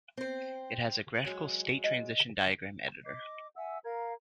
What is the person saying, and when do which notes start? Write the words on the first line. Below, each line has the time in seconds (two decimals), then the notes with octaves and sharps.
It has a graphical state-transition diagram editor.
0.17 C4 C5
1.25 F#3 G#3
1.84 D#5
3.05 D#5 D6
3.56 E5 F#5 G#5 E6
3.84 A#4 F5 A#5 G#6